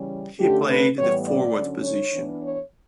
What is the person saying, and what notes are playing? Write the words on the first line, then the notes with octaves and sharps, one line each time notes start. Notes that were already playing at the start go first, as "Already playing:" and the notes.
He played the forward position.
Already playing: C#3 E3 G3 C#4
D3 A3 C#4 G4
B4
A2 E3 G3 B3 C#5
D5
D3 F#3 C#4
C#5
E3 B3 D4
C#5